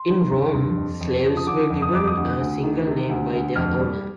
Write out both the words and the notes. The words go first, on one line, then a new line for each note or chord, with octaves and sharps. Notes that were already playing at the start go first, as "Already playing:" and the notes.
In Rome slaves were given a single name by their owner.
Already playing: C6
D#3
G2
G2
F2
F2
F3
D#6
D3 D6
F2
D#6
F2 D6
D#6
D2
D2
D#3
C3
D2
D2
F2 F6
G3